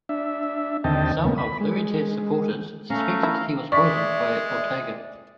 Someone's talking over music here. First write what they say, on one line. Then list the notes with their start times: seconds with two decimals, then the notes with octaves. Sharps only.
Some of Lewites supporters suspected he was poisoned by Ortega.
0.09 D4 E5
0.84 D#2 D3 C4 D#5 G5 A5
1.24 D#2 C#3 A#3 B3
1.38 B5
1.60 G#3
2.90 A3 C#4 F5 A#5
3.23 E4
3.72 G#3 D5 E5 C#6 B6